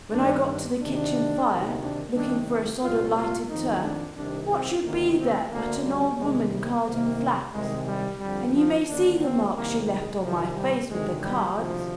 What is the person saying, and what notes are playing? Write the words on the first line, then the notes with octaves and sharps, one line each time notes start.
When I got to the kitchen fire, looking for a sod of lighted turf, what should be there but an old woman carding flax, and you may see the marks she left on my face with the cards.
G2 D#3 D4
D4
D2 C3 D#3 D4
D2 C3 D#3
D4
C2 C3 D#3 D4
C2 A#2 F4
F4
F2 D#3 D#4
D4
C2 C3 D#3 D4
C4
D2 C3 D#3 A#3
C4
D2 D3 A#3
G3
C2 C3 D#3 G#3
G3
C2 C3 D#3 A#3
C2 C3 D#3 G#3
G3
F2 D3 G3
F3
D#2 D3 D4
C4
C2 C3 D#3 A#3
G#3
C2 C3 D#3 F3
G3
D2 C3 D#3 G#3
G3
D2 C3 D#3 F3